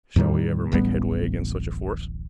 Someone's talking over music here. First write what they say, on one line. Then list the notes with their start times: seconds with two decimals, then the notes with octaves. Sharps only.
Shall we ever make headway against such a force?
0.16 E2 A2 D#3 G3
0.72 D1 A1 G3 B3